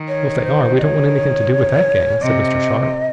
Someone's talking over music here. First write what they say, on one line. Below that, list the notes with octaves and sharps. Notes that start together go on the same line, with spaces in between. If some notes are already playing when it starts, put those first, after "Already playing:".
"Well, if they are, we don't want anything to do with that gang," said Mr. Sharp.
Already playing: D#3
C#5
C5
D#5
C#5
C3 D#5